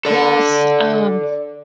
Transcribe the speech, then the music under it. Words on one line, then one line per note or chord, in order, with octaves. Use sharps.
Yes, um,
A4 D5